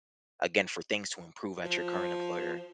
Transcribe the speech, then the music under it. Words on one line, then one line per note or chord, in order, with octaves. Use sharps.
again, for things to improve at your current employer,
F3